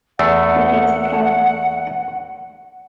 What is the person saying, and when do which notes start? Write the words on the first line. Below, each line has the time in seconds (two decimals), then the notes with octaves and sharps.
But it hates the plow!
0.19 E2 A3 F#5